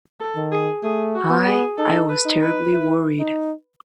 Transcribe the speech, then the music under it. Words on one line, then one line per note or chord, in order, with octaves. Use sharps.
I—I was terribly worried.
A4
D#3
G#4
A3 G#4
F#4
B3
G#4
D#4 A4
B4
D#4
B4
E4
D#4